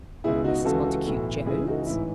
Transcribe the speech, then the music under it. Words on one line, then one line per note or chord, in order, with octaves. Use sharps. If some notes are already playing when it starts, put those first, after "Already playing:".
"Mrs. Montacute Jones."
C#2 B2 E4 G#4
D#4 F#4
C#2 C#3 E3 F#4 A4
B1 A2 E3
C#2 C#3 E3 E4 G#4
D#4 F#4
A1 G#2 E3 E4